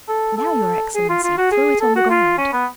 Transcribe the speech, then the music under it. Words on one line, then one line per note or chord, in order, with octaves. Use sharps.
'Now, your excellency, throw it on the ground.'
A4
A4
G#4
F4
F4
F#4
G#4
A4
F#4
F4
C#4
B3